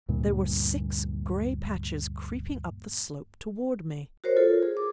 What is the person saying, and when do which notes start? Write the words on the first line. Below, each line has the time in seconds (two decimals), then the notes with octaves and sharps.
There were six gray patches creeping up the slope toward me!
0.09 D2 G2 A#2
4.24 F#4 A#4 C5 C#5
4.37 F4 A4
4.63 G#4
4.77 D6